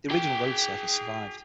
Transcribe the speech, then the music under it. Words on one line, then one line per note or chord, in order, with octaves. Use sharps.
The original road surface survived.
G#4 G5